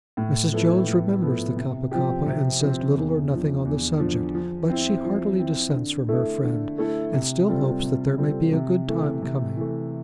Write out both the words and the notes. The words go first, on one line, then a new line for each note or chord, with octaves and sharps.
Mrs. Jones remembers the Kappa-kappa and says little or nothing on the subject, but she heartily dissents from her friend, and still hopes that there may be a good time coming.
A2
F3 B3 E4 A4
A2
F3 B3 E4 A4
C3
F3 C4 G4
C3
F3 C4 G4
E2
D3 F3
E2
D3 F3
F3
C4 E4
F3
C4 E4
D3
A3 E4 A4
D3
A3 E4 A4
C3
G3 C4 F4 A4
C3
G3 C4 F4 A4
C3
E3 A3
C3
E3 A3